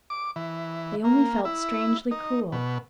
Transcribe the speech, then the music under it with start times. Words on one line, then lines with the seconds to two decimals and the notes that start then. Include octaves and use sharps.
They only felt strangely cool!
0.10 D6
0.36 E3
1.04 A#3
1.45 E4
2.11 D#4
2.52 B2